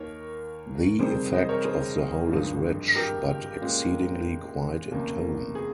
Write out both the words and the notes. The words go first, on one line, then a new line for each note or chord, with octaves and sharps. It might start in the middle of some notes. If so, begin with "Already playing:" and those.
The effect of the whole is rich, but exceedingly quiet in tone.
Already playing: D#2 D#3 A#3 A#4 C#5
F2 C3 D#3 G3 G#4 C5
C5 D#5
A#4 C#5
G#4 C5
G#1 G2 F3 G#3 D#4
G4 A#4
A#2 G#3 C#4 F4
F1 D#2 D#3 A#3 C#4
G#4